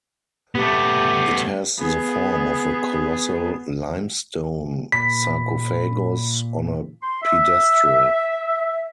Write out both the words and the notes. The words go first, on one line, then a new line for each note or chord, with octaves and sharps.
It has the form of a colossal limestone sarcophagus on a pedestal.
A3 B3 G4
B3 G#4
A#2 B5 B6
C6
E5